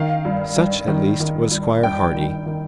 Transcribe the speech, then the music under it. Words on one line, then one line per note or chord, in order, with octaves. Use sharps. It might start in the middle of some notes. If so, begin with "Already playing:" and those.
Such, at least, was Squire Hardy.
Already playing: D#3 F5
G2
G2
D#3
D#3
G2
G2 G5
D#3
D#3